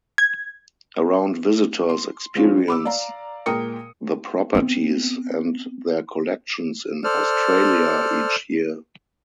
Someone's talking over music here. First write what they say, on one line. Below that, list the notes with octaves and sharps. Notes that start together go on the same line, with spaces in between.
Around visitors experience the properties and their collections in Australia each year.
G#6
C6
F3 G#3 C4 C#4 F4
B5 D6 E6
D5 F5 A#5
A#2 G#3 A#4 G5 D#6 C#7
B3 C4
A4 C5 D5 F6